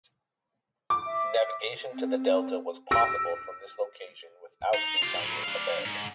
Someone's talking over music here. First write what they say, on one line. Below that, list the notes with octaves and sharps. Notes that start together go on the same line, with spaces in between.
Navigation to the delta was possible from this location without encountering a barrier.
D6
E5
C4
E6 A#6 D7
D#4
F4 G4
A2 F#3
D4 F5
G#2